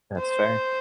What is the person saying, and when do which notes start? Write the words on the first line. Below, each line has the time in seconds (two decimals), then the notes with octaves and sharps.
That's fair.
0.19 C5